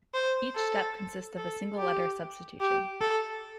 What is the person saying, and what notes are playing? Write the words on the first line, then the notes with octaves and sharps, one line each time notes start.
Each step consists of a single letter substitution.
C5
A4
A4
G4
G4
A4